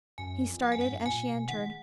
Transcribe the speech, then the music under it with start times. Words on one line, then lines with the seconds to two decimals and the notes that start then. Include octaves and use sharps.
He started as she entered.
0.18 F#2 G#5
0.48 F2
0.62 F#5
0.72 G#5
0.77 F#2 F#5
0.86 G#2
0.95 F#2
1.06 A#2 G#5
1.27 B2
1.49 D#3 F#5
1.61 G#3